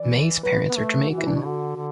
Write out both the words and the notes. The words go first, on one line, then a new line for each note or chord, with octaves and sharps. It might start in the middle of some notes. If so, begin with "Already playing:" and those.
May's parents are Jamaican.
Already playing: E3 D5
F#3 B4
B3
B3
A3
E3 F#4
E4
D4
B2
D3 F#4
D3